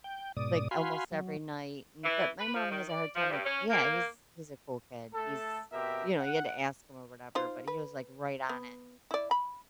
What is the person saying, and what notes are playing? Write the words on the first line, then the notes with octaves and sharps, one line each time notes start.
like, almost every night, m But my mom has a hard time Like, yeah, he's he's a cool kid, he's you know, you had to ask him or whatever, but he was, like, right on it.
G5
G#2 B2 D5 D#6
F#4 F5 G#5 B5 C6
F#3
E3
B4
F3
D#3
D5
F3
G2
C#4
A#3
A3 A4
B2 C4 G4 A#4 E5
F#5
D#4 F4 C5
B4
B3
E4 D5
B5